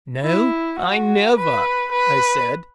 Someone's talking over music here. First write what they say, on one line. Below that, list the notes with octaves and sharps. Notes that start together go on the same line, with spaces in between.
"No, I never," I said.
E4
F#4
B4
B4